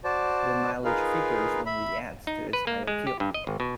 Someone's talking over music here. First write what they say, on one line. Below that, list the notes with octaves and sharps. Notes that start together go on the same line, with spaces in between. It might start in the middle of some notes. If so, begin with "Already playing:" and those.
The mileage figures only adds to its high appeal.
F#4 C5 D5 A5
D#4 F4 G#4 A#4 B4 F5
E5 B5
D#4
B4
A#3
G#3
G4
G2
D#5
G#1
B2